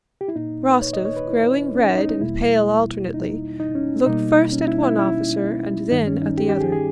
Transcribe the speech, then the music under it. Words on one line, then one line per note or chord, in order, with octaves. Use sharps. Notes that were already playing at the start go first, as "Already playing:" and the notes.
Rostov, growing red and pale alternately, looked first at one officer and then at the other.
G4
E4
A#2 A#3 D#4
B4
C#5
D#5
C#5
B4
E4
C#4
D#4
D#4
D#4
E2 B2 G3 A#3 E4
D#4
D#4
C#4
B2 G3 A#3 D#4
C#4
E4
E4
E4
G2 D#3 G3 D#4
C#4
D#4
G4
G4
G#4
G#4